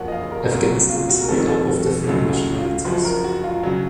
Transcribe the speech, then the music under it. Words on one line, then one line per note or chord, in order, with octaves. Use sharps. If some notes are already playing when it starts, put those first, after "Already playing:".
Afghanistan is made up of different nationalities.
Already playing: F#1 F#2 F3 A#3 C#4 F#5 A5
D#5
F5
A#4
A4
C2 A#2 F#3 A#4
F#4
F4
F#4
A#4
F1 F2 D#3 A3 A4
A4
F#4
A4
C#2 C#3 F#3 A3 A4
F#4
F4
F#1 F#2 F3 F#4
A#4
F#4
F4
C#3 F#3 F#4